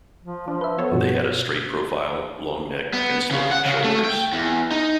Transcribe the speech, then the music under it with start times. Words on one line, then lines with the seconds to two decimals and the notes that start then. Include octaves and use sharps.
They had a straight profile, long neck, and sloping shoulders.
0.23 F3
0.48 F3 D4
0.61 B4 E5
0.79 B3 A4 C5 C#5
0.92 G2 B2 F3
2.93 B3
3.31 C#3
3.51 F#5
3.66 C#3
3.84 A3
4.04 G5
4.32 E2
4.71 D#4